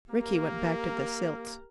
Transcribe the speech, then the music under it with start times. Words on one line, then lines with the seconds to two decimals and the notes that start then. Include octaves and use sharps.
Rickie went back to the Silts.
0.10 A#3 G4 A#4